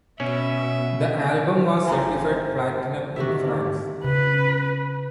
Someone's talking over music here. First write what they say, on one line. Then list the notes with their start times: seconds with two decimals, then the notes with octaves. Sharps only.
The album was certified platinum in France.
0.20 B2 C#4 E5
1.87 G#1 E3 C4 F4 C5 G#5 A#5
3.16 D3 D#3 C4 F#4 G4 E5
4.04 C#3 B4